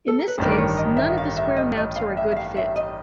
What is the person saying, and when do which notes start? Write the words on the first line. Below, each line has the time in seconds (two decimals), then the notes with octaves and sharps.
In this case, none of the square maps are a good fit.
0.08 A4
0.19 A#4
0.28 B4
0.38 A1 G2 D#3 C5
0.52 D5
0.58 C#5
0.77 D#5
0.97 E5
1.18 F5
1.37 E5
1.57 D#5
1.77 D#5
1.96 F5
2.17 E5
2.31 E5
2.37 F5
2.57 E5
2.76 D#5